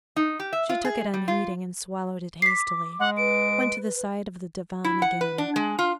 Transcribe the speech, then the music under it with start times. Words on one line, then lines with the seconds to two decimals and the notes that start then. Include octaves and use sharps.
She took it unheeding, and, swallowing it hastily, went to the side of the divan again.
0.16 D#4
0.40 G4
0.53 E5
0.69 F4
0.85 G#4
1.14 G3
1.28 F4
2.42 D6 B6 C7
3.00 G#3 F#5
3.17 B4 D7
4.84 E4
5.02 F#5
5.21 B4
5.38 D4
5.56 G#3
5.79 F4